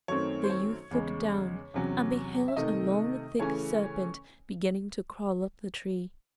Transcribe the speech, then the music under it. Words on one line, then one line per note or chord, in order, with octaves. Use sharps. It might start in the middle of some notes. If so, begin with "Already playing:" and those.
The youth looked down and beheld a long thick serpent beginning to crawl up the tree.
F#2 D#3 A3 C4 C#5
C5
C#5
E2 C#3 G#3
E2 C3 F#3 C#4
E5
C3 D#3 A3 D#5
C#3 E3 A3 C#4 C#5